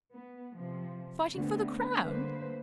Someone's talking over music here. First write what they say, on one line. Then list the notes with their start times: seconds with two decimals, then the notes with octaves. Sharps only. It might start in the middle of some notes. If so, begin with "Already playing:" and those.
'Fighting for the crown?'
0.11 B3
0.57 C3 F3
1.33 D3 A3 B3 C4
2.01 D3 G3 A3 A#3 B4 C5